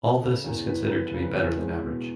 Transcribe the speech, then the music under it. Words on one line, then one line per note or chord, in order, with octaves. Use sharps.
All this is considered to be better than average.
C#3 A4
E2 A#4
E3 B4
A#4
F1 B4
C#3
B4
E2
G#3
B2